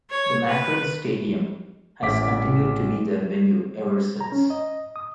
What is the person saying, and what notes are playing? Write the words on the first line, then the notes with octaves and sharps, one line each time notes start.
The Macron Stadium has continued to be their venue ever since.
C#5
B4
A1 D6 B6
A#5
C#4
D#5
D#6